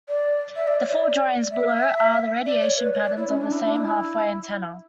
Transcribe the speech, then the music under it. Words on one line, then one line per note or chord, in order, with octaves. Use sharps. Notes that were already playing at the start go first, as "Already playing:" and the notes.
The four drawings below are the radiation patterns of a same half-wave antenna.
D5
E5
D5
C#5
E5
D5
E5
D5
C#5
B4
C#5
D5
E4
C#4
D4
E4
D4
E4